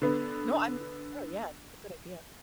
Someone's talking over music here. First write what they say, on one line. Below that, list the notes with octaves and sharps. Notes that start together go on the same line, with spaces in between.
No. I'm with you there, yeah. That's a good idea.
D3 B3